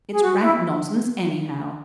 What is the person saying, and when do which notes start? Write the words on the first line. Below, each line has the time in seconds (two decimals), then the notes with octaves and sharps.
It's rank nonsense, anyhow!
0.11 G#4
0.22 F#4
0.41 E4